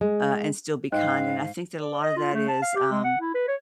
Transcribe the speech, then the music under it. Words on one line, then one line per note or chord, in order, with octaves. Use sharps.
uh, and still be kind and I think that a lotta that is, um,
G#3
G#2 D#5 F5 G5 F#6
D5
D#5
F4
A3
A5
F5
G4
G#3
F#5
E4
B4
C#5